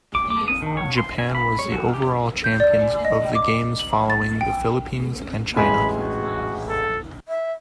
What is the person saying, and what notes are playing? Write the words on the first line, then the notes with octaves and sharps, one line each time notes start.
Japan was the overall champions of the Games following the Philippines, and China.
D6
D6
D#6
D#3
C#5
C6
G#5
B5
C#5
F#4
G4
G6
D5
D#5
D6
F#7
A6
G5
A1 G#3 G#5 B5
F#4
A4
E5